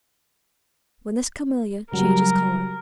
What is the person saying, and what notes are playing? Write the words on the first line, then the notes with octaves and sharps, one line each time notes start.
"When this camellia changes colour."
C#3 F#3 G3 A#4